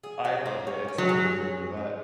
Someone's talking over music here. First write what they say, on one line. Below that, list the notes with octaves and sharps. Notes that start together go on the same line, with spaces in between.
I loved it, it's such a good movie, but
G#4
F#3
A#3
C#4
C#4
F#3
G#4